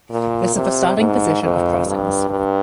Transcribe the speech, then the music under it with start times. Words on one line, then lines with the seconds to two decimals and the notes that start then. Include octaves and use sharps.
This is the starting position of Crossings.
0.10 A#2
0.55 C3
0.98 G#2
1.42 F2
1.86 G2
2.30 G2